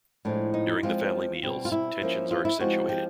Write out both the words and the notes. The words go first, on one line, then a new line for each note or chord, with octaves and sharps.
During the family meals, tensions are accentuated.
A2 F3 G#3 D4
D#4
F3 G#3 C4 F4
B2 G3 C4
F4
E4
F3 A#3 C#4
F4
E4
F3 G#3 C4 F#4
G4